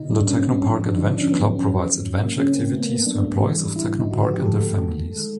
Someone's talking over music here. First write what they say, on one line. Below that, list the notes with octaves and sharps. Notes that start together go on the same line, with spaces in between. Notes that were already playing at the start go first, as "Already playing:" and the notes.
The Technopark Adventure Club provides adventure activities to employees of Technopark and their families.
Already playing: B2 D3 D#4
G3 D4
A#3 C#4
C4
G3
C#4
F3 D4
F3
D4
D3 D#4
D4
F3
C#4
F#3 B3
D#3
C#4
F#3
D#3
F#3
A#3
C#3 C#4
A#3 C4
A3 B3
A#3
A3
B3
F#3 D4
A3
E3
G3
G3 E4
C#3
D#4
D3 F#4
F#4
F3
G4
A3 A4
A3
D#3
D#3
G#3